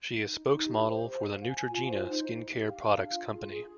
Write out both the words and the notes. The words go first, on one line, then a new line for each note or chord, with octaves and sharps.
She is a spokesmodel for the Neutrogena skin care products company.
D#4
D#4
G4
C5
C5
F5
G#5
F4
C5
D#4
D#4
G4
F5
D4
F4
G#4
G#4